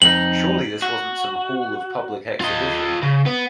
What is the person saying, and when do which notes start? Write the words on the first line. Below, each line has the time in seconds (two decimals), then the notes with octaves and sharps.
Surely this wasn’t some hall of public exhibition!
0.02 F2 D#4 F#7
0.82 F#4
2.41 F4 D#5
3.03 C#3
3.26 B3